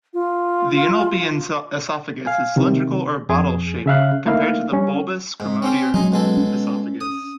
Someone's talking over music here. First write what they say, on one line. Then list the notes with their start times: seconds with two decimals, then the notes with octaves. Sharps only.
The enoplean esophagus is cylindrical or "bottle-shaped", compared to the bulbous chromadorean esophagus.
0.14 F4
2.26 F5 G#5
2.56 C3 D#3
3.29 F2 G#4
3.86 C#3 E5 F5 F#6
4.26 A3 A#3 D#4 E4 F5
4.72 G3 C#4
5.40 G#2
5.62 C4 C#4 G4
5.94 F#3 G#3 C#4 D#4
6.12 B2 G#3 A4
6.37 C#4
7.01 D#6